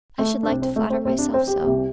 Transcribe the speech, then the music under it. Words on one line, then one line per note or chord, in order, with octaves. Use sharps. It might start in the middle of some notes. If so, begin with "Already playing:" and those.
I should like to flatter myself so.
A3
D4
C2 C3 C4
C4
A3
C4
C2 C3 C4
D4
C4
G4
C2 C3